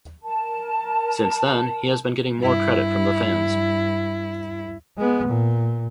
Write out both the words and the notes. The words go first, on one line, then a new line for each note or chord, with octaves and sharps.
Since then, he has been getting more credit from the fans.
A#4 A5
G2 E4
G#3 B3
A#2